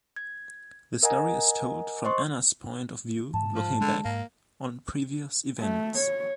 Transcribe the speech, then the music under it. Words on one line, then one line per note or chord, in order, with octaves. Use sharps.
The story is told from Anna's point of view- looking back on previous events.
G#6
A#4 D#5 F#5 G#5 A#5
C5 D#5 C6 C#6
G#2 A5
F3
D3 G#3
G#2 A#3
A3
C#5